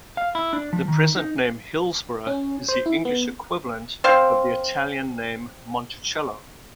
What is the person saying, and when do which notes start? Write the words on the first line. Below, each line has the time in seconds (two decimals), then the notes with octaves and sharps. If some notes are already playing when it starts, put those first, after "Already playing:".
The present name Hillsboro is the English equivalent the Italian name Monticello.
0.17 F5
0.35 E4
0.53 D4
0.73 F3
0.88 D#3
1.16 D#4
2.27 C#4
2.69 C5
2.86 E4
3.05 B3
4.04 C4 C5 F5